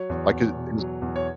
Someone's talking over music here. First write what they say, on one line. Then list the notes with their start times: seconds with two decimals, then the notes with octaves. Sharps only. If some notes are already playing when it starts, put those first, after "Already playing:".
like, his his
Already playing: F#3 C#5
0.10 E2
0.32 E2
0.55 B2
0.78 F#3
1.02 E2
1.16 C#5